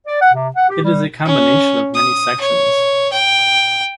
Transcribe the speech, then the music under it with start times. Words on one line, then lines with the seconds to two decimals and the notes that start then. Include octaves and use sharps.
It is a combination of many sections.
0.06 D5
0.21 F#5
0.34 C3
0.56 F#5
0.70 G4
0.83 G3
1.25 C#4
1.94 D#6
2.41 C#5
3.12 G5